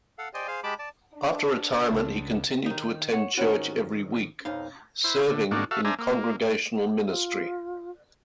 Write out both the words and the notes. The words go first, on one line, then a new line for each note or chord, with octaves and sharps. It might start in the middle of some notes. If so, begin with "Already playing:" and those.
After retirement, he continued to attend church every week, serving in congregational ministry.
A4 F5 F#5
C5 D5 D#5 G5 G#5
G#4 C5 F5
G#3 G4 A5 B5 D6
D5 A5
D4
C#2
D#3 D#4
C#5 F#5
G#2 D#3 F3 C#4 F#4
B1 F2 D#4 F5
E4 C5
D3
G#2 A#3 D4 F#4
F#4 A4 E5 F5
D4 C5 E5 G#5 A#5
A#3
F4